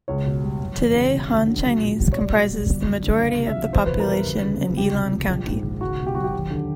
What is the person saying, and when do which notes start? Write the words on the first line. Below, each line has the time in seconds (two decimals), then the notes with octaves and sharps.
Today Han Chinese comprises the majority of the population in Yilan County.
0.08 C#2 C#5
0.26 B2
0.44 G3
0.60 F#1
0.78 E2
0.95 C#3
1.13 E1
1.30 D2
1.47 D3
1.65 B1
1.82 A#2
2.00 G3
2.13 C#5
2.17 B1 D5
2.34 B2
2.52 G3
2.69 G1
2.86 F#2
3.03 D3
3.21 C#2 F5
3.38 C3
3.47 E5
3.55 F3
3.73 E2 C5
3.86 B2 B4
4.00 A#4
4.08 G3
4.13 B4
4.25 D2
4.42 C#3
4.60 F#3
4.77 C#2 G4
4.95 C3
5.12 F3
5.30 A#1
5.47 G#2
5.64 D#3
5.81 C#2 F#4
5.99 B2
6.07 G4
6.15 F#3 F#4
6.24 G4
6.33 D#2
6.50 D3